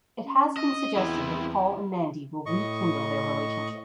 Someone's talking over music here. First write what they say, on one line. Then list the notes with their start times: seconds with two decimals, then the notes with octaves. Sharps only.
It has been suggested that Paul and Mandy will rekindle their relationship.
0.25 C#4
0.57 D#5
0.96 E2 C4 E4
2.46 A2 D#5 C#6